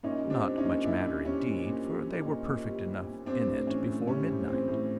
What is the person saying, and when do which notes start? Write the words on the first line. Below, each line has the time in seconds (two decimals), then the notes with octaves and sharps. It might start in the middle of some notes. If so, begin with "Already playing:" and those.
Not much matter indeed, for they were perfect enough in it before midnight.
0.03 A#2 C#4 D#4
0.23 G3
0.30 C4 D4
0.44 G3
0.57 C#4 D#4
0.65 A#2
0.84 A#2 D4 E4
1.05 G3
1.25 G3 C#4
1.45 A#2
1.66 A#2
1.85 G3
2.06 G3
2.25 A#2
2.46 A#2
2.66 G3
2.87 G3
3.06 A#2
3.26 G3 C4 D4
3.47 A2
3.67 E3 C#4
3.87 A2
4.07 G3 C#4
4.28 A2
4.48 E3 C4
4.68 A2